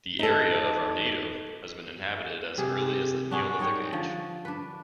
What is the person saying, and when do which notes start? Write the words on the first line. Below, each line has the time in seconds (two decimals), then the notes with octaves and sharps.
The area of Arnedo has been inhabited as early as the Neolithic Age.
0.19 D#4 A4
2.58 C3 G#4
3.31 D4 F#4 G#4
3.60 D#4 C#5 G5
3.92 D3 F3
4.45 D4 B4